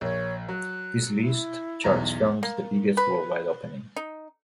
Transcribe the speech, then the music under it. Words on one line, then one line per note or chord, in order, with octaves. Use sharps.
This list charts films the biggest worldwide openings.
A#1 C#5
F#3 F#6
E4
B1 E2 A#5
A#3
B4
D#4